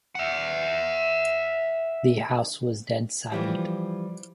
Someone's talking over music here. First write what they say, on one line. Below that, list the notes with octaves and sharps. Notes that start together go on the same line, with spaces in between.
The house was dead silent.
E5 F#5
E3 F3 G3